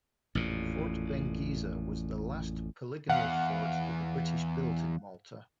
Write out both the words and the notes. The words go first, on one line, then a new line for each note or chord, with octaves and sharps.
Fort Benghisa was the last polygonal fort that the British built in Malta.
A1 F2 A#2
E2 F5 F#5